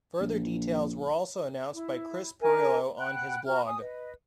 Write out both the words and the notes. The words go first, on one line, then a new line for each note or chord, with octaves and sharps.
Further details were also announced by Chris Pirillo on his blog.
A#1
E4
D4 A#4 E5 G#5
F#5 G5 B5 F#6
F#4 A#5 F6
G#5 D#6
B4 D#5